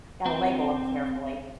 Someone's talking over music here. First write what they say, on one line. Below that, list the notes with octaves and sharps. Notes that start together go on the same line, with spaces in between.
Gotta label 'em carefully.
C4